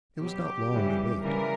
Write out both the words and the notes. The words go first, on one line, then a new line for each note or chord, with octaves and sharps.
It was not long to wait.
B2 F#3 G4
C#3 E3 G3
C#3 E3 G3 A#4